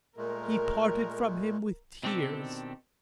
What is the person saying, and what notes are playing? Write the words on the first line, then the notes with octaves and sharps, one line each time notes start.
He parted from him with tears.
A#2 G#3 A3 A#4
B2 D#3 C4 D4 G4 A4